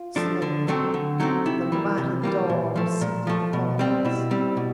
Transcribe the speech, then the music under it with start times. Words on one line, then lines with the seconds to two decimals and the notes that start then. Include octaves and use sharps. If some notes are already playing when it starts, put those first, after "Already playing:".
Slowly the mighty door receded before us.
Already playing: F4
0.16 F3 A3 D4
0.42 D3
0.68 F#3 A3 C4
0.94 D3
1.20 F#3 A3 C4 D#4
1.45 C3 E4
1.72 E3 G3 A#3
1.98 C3
2.23 E3 G3 A#3
2.49 A#2
2.76 F3 A3
3.01 A#2
3.27 F3 A3
3.53 B2
3.79 G3 C4
4.05 B2 E4
4.31 G3 C4
4.57 B2